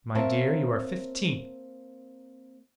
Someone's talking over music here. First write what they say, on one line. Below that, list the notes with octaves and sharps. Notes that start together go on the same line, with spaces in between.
"My dear, you are fifteen."
A#3 C4 A#4 C#5 E5 A5